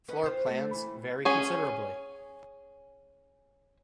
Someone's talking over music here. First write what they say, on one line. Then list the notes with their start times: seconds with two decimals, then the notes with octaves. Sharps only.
Floor plans vary considerably.
0.08 C#4 B4 D#5
0.24 F4 G4 C5
0.47 A3
0.73 E3
1.25 C#4 G#4